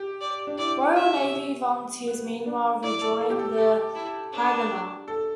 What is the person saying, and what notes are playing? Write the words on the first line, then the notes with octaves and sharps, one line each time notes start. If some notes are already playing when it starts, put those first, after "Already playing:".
Royal Navy volunteers, meanwhile, rejoined the Haganah.
Already playing: G4
D5
D4
E4 D5
E5
B3
D4
E4 D5
A4
A4
G4
A4
G4 A4
E4
D4
A4